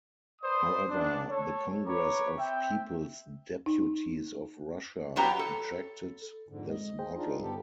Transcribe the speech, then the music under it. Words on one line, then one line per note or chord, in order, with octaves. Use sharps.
However, the Congress of People's Deputies of Russia rejected this model.
B4 C5 D5 D#6
D4
A4 C#5
B4 C#5 A#5 D6
C4 E5 G5
D#4
E2 E3 F#3 B3 G4 A#5
A4
F2 G#2 D3
G#3 D#5
G#4 C5 G5
D4 D#4 F4
G2 D3 B3 G4 A4